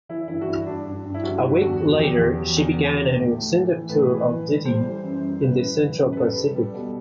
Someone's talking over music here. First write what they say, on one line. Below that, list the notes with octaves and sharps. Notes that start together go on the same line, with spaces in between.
A week later, she began an extended tour of duty in the Central Pacific.
E3 E4
G2 E4
F#4
G2 E4
G2 D4
G2
G2
E4
G3 F#4
G2
E2 F#4
E2
E2 G4
E2
F#3
E2
D3
F#3
A2
A2
E3
E3
A2 B4
E3
E3
G3
G3 C5
E3
F#2
G3
F#2 B4
E3
G3
F#2
B4
G3 A4
G3
G3
B2